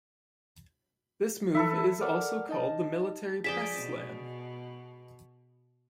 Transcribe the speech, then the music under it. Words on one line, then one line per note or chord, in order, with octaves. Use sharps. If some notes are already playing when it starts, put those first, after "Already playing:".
This move is also called the military press slam.
E3 A4 B4 E5
A4 A#4 D5 F#5 D6 F6
D#4 D#5 A5
F2 G#4 D5 G5 B6 E7
B2